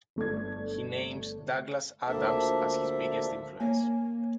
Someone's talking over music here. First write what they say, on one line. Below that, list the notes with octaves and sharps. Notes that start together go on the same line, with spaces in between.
He names Douglas Adams as his biggest influence.
G1 A3 D4 G#6
D2 F3 A#3 D4 A4 E5
A#3 C#5 G#5